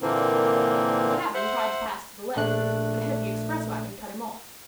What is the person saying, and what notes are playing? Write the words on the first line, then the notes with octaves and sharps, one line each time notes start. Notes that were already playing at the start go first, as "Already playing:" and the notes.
The cabman tried to pass to the left, but a heavy express wagon cut him off.
A#2 D3 E3 A#3 C4
C5 E5 F#5
A#1 A3 D4 F#6